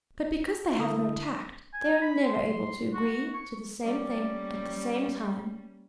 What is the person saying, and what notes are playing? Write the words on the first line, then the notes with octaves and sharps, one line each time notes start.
But because they have no tact, they are never able to agree to the same thing at the same time.
D3 E4 A4 A#4 D#6
G#5
B5
C6
F#4
C#6
G3 A#3 C#4 D5